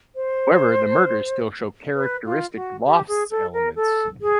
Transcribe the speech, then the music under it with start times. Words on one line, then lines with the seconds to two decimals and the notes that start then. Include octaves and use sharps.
However, the murders still show characteristic Lofts elements.
0.15 C5
1.95 B4
2.25 F4
2.55 F#4
2.85 G4
3.07 G#4
3.30 A4
3.53 A#4
3.75 A4
4.21 G#4